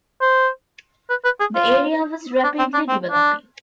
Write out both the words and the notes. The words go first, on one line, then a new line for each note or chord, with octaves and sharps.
The area was rapidly developing.
C5
B4
B4
G#4
F4
D4
C4
D4
C4
D4